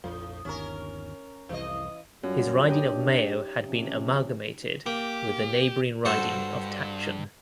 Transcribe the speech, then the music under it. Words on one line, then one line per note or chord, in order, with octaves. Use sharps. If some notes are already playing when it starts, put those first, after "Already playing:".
His riding of Mayo had been amalgamated with the neighbouring riding of Tatchun.
A#1 F2 A2 F3
G1 D#2 C#4 A#4
C2 F2 E3 D#5
F#2 G3 F4 F#4
A#2 D4 D#4 G4
C3 F3 C#4
A#3 G4
G2 F#4 A4 C5